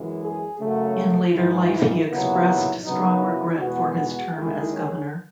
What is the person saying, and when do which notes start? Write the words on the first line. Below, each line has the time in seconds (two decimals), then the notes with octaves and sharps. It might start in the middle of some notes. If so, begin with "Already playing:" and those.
In later life he expressed strong regret for his term as governor.
Already playing: F#2 E3 G#3
0.22 G#4
0.59 F#2 C#3 F#3 A3
1.33 G#2 E3 G#3 E4
1.71 E4
2.09 D#2 C#3 F#3 B3 E4
2.84 F#2 C#3 F#3 B3 D#4
3.22 E4
3.59 E2 B2 G#3 B3 F#4
3.98 F#4
4.35 D#2 D#3 G#3 E4
4.73 C#4